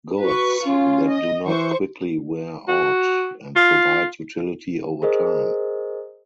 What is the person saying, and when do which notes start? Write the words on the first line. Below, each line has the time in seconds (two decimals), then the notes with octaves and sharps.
Goods that do not quickly wear out and provide utility over time.
0.22 F#4 B4 C#6
0.65 C#4 F4
1.09 D#5
1.45 E3 C5 C#6
2.68 F#4
3.56 F4
5.02 G#4 A#4 C5 D#5